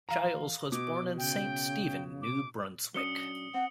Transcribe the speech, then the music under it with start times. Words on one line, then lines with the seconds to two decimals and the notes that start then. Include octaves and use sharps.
Giles was born in Saint Stephen, New Brunswick.
0.09 E3 F5 A#5
0.72 B2 F#4 D6
1.18 C#3 G5
2.22 D6
2.94 F#3 C#4 D4 D#6 C#7 G7
3.54 C4 F#5